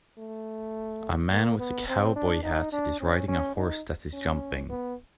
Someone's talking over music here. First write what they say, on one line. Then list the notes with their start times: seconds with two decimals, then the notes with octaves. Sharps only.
A man with a cowboy hat is riding a horse that is jumping.
0.18 A3
1.31 A#3
1.59 B3
1.88 C4
2.16 D4
2.44 D#4
2.72 D4
3.00 C#4
3.28 C#4
3.56 D#4
4.13 C#4
4.70 B3